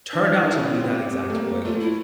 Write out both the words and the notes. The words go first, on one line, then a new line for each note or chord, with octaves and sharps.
turned out to be that exact oil,
D4 D#4
D#4
D4
E4
D4 D#4
F4
C#4 E4
C4 F4
B3
G4
C4
A3
A#3
A3 F4
E4